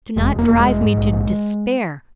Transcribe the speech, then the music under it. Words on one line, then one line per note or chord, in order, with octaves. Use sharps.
Do not drive me to despair.
E1 G#3
E1
A#3
E1
G#3
E1
G#2
A#1
A#1